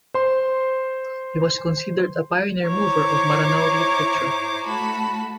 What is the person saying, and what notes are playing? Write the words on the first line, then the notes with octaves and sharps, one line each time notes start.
He was considered a pioneer mover of Maranao literature.
C5 C6
E4 C5 C#5 A#5 D6
A3 F#4 A5 B5